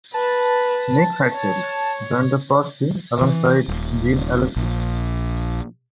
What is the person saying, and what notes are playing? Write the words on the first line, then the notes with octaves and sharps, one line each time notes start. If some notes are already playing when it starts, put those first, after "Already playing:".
Nick Heidfeld joined the Prost team alongside Jean Alesi.
B4 A5
C#5
E3
D#1
A#1